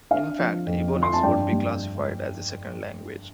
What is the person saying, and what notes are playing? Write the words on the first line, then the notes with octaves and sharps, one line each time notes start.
In fact, ebonics would be classified as a "second language".
D4 F5
F3
F2
F3
C6
A5
G2 D5 G5
G3